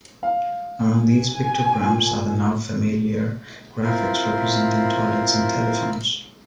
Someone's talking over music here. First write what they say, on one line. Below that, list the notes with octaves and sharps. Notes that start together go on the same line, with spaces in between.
Among these pictograms are the now-familiar graphics representing toilets and telephones.
F5
G#5
A#2
C4 E4 F4 A#4